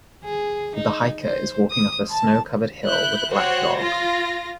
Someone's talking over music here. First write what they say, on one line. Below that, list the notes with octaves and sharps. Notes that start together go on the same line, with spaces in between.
The hiker is walking up a snow covered hill with a black dog.
G#4
D#4
C5
D#6
A5
E4 F#6 G6
F#4 G4 C5 C#5 F#6
F4 A#6